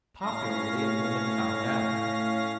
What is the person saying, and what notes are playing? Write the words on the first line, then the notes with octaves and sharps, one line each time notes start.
Popularly, a woman found out.
A2 C#4 F5 A#6